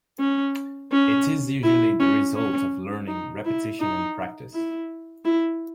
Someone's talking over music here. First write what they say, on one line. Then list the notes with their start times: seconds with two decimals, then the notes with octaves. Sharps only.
It is usually the result of learning, repetition, and practice.
0.19 C#4
0.92 C#4
1.63 E4
2.00 C#4
2.36 C#4
3.08 D#4
3.45 E4
3.80 D#4
4.54 E4
5.25 E4